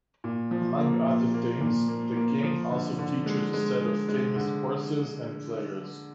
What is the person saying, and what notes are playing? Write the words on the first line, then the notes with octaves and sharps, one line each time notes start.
Among other things, the game also features a set of famous courses and players.
A#2
F3
A#3
A#2
A#3
A#2
A#3
A#3
F3
D3
D3
G#3
G#3
G#3
G#3
D3